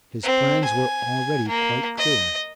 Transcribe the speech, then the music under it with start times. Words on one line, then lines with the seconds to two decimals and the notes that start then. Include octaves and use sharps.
His plans were already quite clear.
0.23 C4
0.64 G#5
1.49 A#3
1.98 D#5